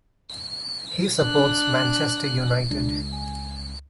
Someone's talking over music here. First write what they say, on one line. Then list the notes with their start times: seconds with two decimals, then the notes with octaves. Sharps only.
He supports Manchester United.
1.19 D4 F#6
2.70 C#2 D4
3.12 G#5